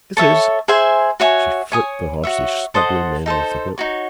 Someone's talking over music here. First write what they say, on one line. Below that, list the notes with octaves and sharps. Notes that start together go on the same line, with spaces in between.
"It is." She flicked the horse's stubby mane with the whip.
A4 C#5 E5
G#4 C5 E5 G#5
F#4 C#5 E5 G#5
C#5 G#5 D#6
F#4 C#5 E5
A4 C5 D#5 F#5
D#4 A4 C5
D#4 F#4 C#5